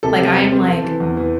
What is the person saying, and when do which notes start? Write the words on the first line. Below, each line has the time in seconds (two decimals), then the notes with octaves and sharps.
like, I am like,
0.03 C3 A4
0.19 C3
0.36 C4
0.52 C4
0.68 C4
0.85 E3
1.00 E2
1.17 E3